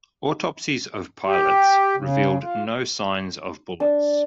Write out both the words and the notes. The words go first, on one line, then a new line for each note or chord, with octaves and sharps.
Autopsies of pilots revealed no signs of bullets.
G4
C#3
F4
D4